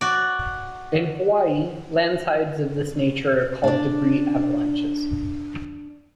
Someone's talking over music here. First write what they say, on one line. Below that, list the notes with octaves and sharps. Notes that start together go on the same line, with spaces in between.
In Hawaii, landslides of this nature are called debris avalanches.
F#4 D5
D4 D5